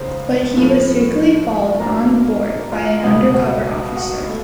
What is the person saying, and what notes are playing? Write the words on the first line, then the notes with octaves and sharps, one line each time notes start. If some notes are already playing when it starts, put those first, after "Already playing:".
But he was secretly followed on board by an undercover officer.
Already playing: C#2 C#3 B3 D#4 C5
A2 F3 A3 B4
A2 F#3 A#3 D4 A#4
F4
C#2 B2 G3 B3
F#4
F#4
A3